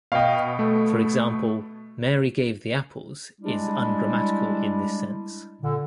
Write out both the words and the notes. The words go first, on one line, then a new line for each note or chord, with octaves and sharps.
For example, "Mary gave the apples" is ungrammatical in this sense.
B2 D#5 F5 G5
A3
G3 G#3 D4 E4
A#2 D3